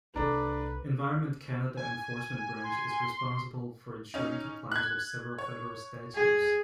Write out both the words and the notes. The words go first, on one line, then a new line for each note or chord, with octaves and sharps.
Environment Canada Enforcement Branch is responsible for ensuring compliance with several federal statues.
C2 A3 D4 A4 B4 A#5
G#5
C6
C#4 D#4
F#6 G#6
C#5
G#4